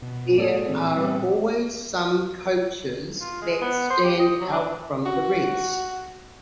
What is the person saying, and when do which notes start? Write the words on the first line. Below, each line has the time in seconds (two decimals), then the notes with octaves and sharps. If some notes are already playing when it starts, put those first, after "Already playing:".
There are always some coaches that stand out from the rest.
0.02 B2
0.38 A2 G#3 A#3 G#4 A4 D5
0.68 A#2 E3 C4
0.96 G3 B3
3.20 F4
3.42 G#3
3.61 B3
3.90 C5
4.04 G4
4.20 D#5
4.40 F#3
4.52 D4
5.06 F#4